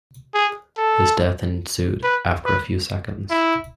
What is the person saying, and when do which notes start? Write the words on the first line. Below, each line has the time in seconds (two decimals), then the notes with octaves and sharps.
His death ensued after a few seconds.
0.34 G#4
0.78 A4
2.04 B4
2.45 B4
3.30 E4